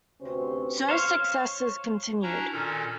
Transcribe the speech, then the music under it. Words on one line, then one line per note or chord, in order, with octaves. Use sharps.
Zuo's successes continued.
D2 C3 C#4 F#4 B4 C5
C5 C#5 F5
C#4 D4 E4 F#4 A#5
A#2 D#3 C#4 A4